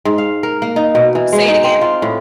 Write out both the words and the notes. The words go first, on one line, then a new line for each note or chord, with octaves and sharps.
Say it again?
G#2
F5
A#4
A#3
D#4
B2
E3
G#3
D#4
C4
F4
A2